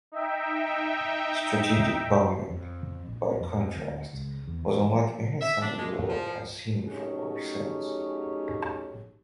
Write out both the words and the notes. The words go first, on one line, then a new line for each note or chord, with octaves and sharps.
Strategic bombing, by contrast, was unlike anything the world has seen before or since.
D#4 E5 G5
F2
A#1
F2
D2
C#2
E2
E3
F3
E5
D4
G#3
D#2
F3
F#3 A3 C#4 D#4 G4 G#4